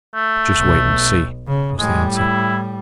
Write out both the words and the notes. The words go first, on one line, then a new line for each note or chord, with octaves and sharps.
"Just wait and see," was the answer.
A3
B1
C#3
A2 G3 G#3
E4